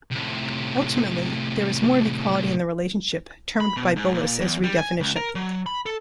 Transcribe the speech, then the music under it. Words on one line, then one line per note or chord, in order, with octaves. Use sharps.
Ultimately, there is more of equality in the relationship, termed by Bullis as Redefinition.
A2 C3
B5
B2
G#2
A#2
E2
G3
G#5
C#2
A#4
F#3
B5
A4